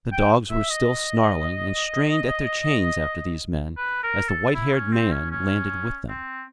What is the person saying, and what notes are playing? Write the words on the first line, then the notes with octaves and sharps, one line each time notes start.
The dogs were still snarling, and strained at their chains after these men, as the white-haired man landed with them.
G5
E5
D#5
B4
A#4
A4
E4
C#4
C4
C#4
C#4
C4